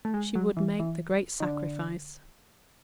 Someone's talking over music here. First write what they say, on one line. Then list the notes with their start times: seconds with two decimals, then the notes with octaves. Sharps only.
She would make the great sacrifice.
0.05 A3
0.14 G#3
0.35 F#3
0.57 E3
0.80 E3
1.40 D#3
1.44 D3